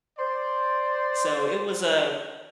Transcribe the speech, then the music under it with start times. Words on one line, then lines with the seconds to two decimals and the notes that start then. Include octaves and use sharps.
So it was a
0.18 C5 D5